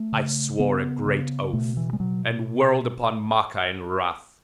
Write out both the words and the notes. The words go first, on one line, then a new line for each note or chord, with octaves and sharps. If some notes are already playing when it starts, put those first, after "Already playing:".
I swore a great oath and whirled upon Maka in wrath.
Already playing: A3
C#3
C#3 B3
C#3
B2 A3
E3
G#3
B2 F#3